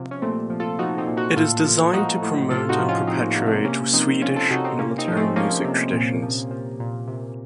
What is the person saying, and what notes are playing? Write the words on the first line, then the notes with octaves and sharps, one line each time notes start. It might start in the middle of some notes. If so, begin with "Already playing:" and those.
It is designed to promote and perpetuate Swedish military music traditions.
Already playing: C3 F3
C#4
A#2 A3 C4
F3
F4 A4
F3 D#4 F#4
C4 D#4
A#2
D#4 F#4
A2 F4 A4
F3
F3 D#4 F#4
A2
C3 F4 A4
D#4 F#4
F3
C#4 F4
F3 C4 D#4
A#3
C3 A#3
A3
A#3
C3 A#3 C#4
F3 C4 D#4
F3 C#4 F4
F4 A4
C3 D#4 F#4
C4 D#4
C3 A#3 C#4
C4 D#4
F3 C#4
A3 C4
F3 A#3 C#4
C3
A#2
F3
F3
A#2
C3